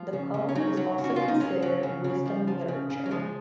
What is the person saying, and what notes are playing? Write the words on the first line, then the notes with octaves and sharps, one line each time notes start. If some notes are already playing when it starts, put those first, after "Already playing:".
The poem is also considered wisdom literature.
Already playing: F3 F4
C#3
C#3
C#4
F#3 D#4
F#3
C#3
F#4
C#3 F4
D#4
F#3 C#4
F#3
C#3
C#3
F3
F3
C#3
C#3
F#3
F3 G#3